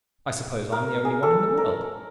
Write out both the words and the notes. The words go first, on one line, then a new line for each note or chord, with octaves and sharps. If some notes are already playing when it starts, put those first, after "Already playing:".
I suppose I am the only one in the world.
A#4
G#4
A4
A#4